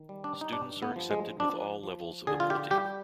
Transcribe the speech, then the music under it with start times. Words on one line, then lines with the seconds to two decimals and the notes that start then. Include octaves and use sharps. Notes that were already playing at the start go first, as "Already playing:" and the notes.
Students are accepted with all levels of ability.
Already playing: D#3
0.09 G3
0.24 D4
0.41 D#4
0.52 G2 D4
0.82 B3
0.96 F3
1.11 G#3
1.40 F3 D4
1.83 F3
2.27 D3 G#4
2.40 F4
2.50 G4
2.71 G3 G4